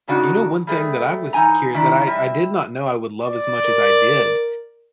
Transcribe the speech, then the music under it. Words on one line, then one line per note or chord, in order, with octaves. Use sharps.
You know one thing that I was cur that I I did not know I would love as much as I did,
A2 C#3 D4 D#4 F#4
G3 A3 G#4
E3 D#4 G#5 A#5
D#3 D4 E4
G3 E5
D5
A#4